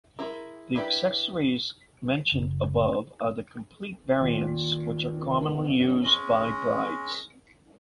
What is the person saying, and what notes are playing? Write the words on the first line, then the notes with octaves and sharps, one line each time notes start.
The accessories mentioned above are the complete variants which are commonly used by brides.
G#3 E4 A#4
D4 E4 G4 B4
F#1
D#2 A#2
G#3 C#4 D#5